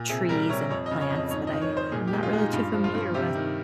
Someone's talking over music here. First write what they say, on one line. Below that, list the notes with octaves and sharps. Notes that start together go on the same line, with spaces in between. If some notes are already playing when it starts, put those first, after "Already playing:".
trees, and plants that I am not really too familiar with.
Already playing: A#2
C3 G#4
G3 A#4
C3 C#5
F2 C#5
D#5
C#3
C#5
F2 D#5
G#2 C#5
D#5
D#3
C#5
G#2
C5
A#2 G#4
G4
G#3
F4
G#3
D#4
G2 F4
F3
F4
G2
C3 G4
D#3